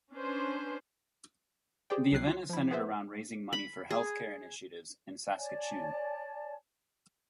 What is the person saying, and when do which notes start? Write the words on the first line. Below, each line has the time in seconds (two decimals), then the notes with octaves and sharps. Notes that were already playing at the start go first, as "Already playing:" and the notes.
The event is centered around raising money for healthcare initiatives in Saskatchewan.
0.13 C#4 D4 B4 C5
1.90 G4 G#4 C5 D5 G5
2.12 C2 F#3 F#6 C7
2.27 F4
2.49 F3 E4
2.71 B3 G#4 B4 C5 E5
3.53 B5
3.91 G#4
5.35 C#5 D5 G#5 A5